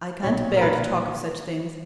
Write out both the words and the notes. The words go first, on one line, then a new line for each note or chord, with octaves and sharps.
I can't bear to talk of such things.
B1 A#2 F#3 C#5
A#4
B1 A#2 F#3 B4
A#4